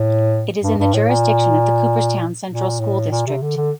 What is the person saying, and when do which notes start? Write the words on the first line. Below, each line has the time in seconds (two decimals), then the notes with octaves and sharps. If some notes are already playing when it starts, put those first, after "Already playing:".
It is in the jurisdiction of the Cooperstown Central School District.
Already playing: A2
0.63 G2
0.78 G2
0.94 A2
1.09 A#2
2.49 A#2
2.79 A2
3.11 A#2
3.26 C3
3.42 D3
3.57 D3